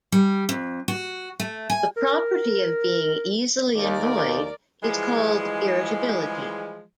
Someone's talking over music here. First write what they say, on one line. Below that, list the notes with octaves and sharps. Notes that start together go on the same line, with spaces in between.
The property of being easily annoyed is called irritability.
G3
F2
F#4
A3
G#5
A#4
D#2 A#4 D5
E3 F3 G3 G#3